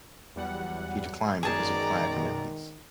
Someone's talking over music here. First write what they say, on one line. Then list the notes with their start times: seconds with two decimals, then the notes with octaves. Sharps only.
She declined because of prior commitments.
0.36 E2 F#3 G3 F#5
1.43 F#2 B2 D#3 G#3 G#4 D5 A5 A#5